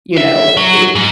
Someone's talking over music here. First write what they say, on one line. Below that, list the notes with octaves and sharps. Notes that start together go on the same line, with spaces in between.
you know, it
E5
F#3
G#2